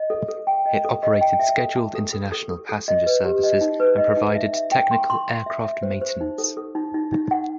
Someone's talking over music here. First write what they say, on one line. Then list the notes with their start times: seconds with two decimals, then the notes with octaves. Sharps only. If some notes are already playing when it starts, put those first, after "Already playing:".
It operated scheduled international passenger services and provided technical aircraft maintenance.
Already playing: D#5
0.10 A4
0.28 A4
0.47 G5
0.66 D#5
0.85 A4
1.03 D#5
1.21 G5
1.40 E5
1.58 A4
1.76 A5
1.95 A4
2.13 A4
2.32 A4
2.51 A4
2.69 A4
2.88 D#5
3.06 B4
3.25 G4
3.43 D#5
3.61 D#4
3.80 B4
3.98 D#5
4.17 D#4
4.35 E5
4.53 E5
4.72 G5
4.91 C6
5.10 C6
5.28 C6
5.46 E5
5.65 E5
5.83 C5
6.02 C5
6.21 D#4
6.38 A4
6.57 A4
6.75 D#4
6.94 D#4
7.13 D#4
7.31 F#5